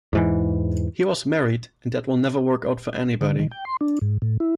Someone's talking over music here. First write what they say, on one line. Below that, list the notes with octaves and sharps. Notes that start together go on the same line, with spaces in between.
He was married, and that will never work out for anybody.
E2 G#2 E3
D3
D#3
G5
C6
D4
G#2
A2
E4